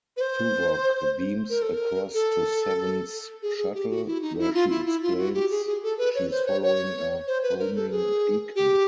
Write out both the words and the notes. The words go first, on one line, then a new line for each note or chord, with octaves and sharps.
Tuvok beams across to Seven's shuttle, where she explains she's following a homing beacon.
B4
C5
A#4
A4
A#4
A4
G#4
G#4
G4
F#4
E4
D#4
E4
F4
E4
E4
F4
F#4
G4
G#4
G#4
A4
B4
C#5
C5
C#5
C#5
C5
B4
A#4
A4
G#4
G4